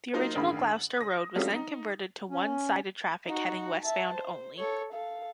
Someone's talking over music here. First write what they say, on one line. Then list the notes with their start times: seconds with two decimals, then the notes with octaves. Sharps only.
The original Gloucester Road was then converted to one sided traffic heading westbound only.
0.13 F#3 A#3 D#4 F4 A#4 C5
0.36 A1 G2 D#3 G#4 F5 B5
0.71 F#7
0.97 D#6 A#6
1.36 F#3 G3 A3 C4 C#4 F4
1.54 D#4
2.30 C#4
3.26 D#4 F#4
3.83 E5 A5
4.15 C5
4.59 A4 C#5
4.93 A4 F5